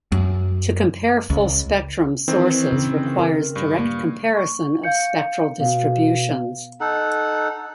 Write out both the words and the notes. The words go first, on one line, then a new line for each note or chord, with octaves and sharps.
To compare "full-spectrum" sources requires direct comparison of spectral distributions.
F#2
C#2
D#3 E3 C4
C#3
A#4
G2
A#3
C#6
F5 G6 C#7
B2 F5
D#4 A4 F#5